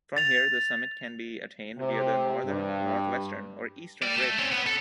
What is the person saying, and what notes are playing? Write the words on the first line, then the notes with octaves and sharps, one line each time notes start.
From here, the summit can be attained via the northern, northwestern or eastern ridge.
A6 F7
C3
G2
G3 D5
A3
C4 C#4
B3
A4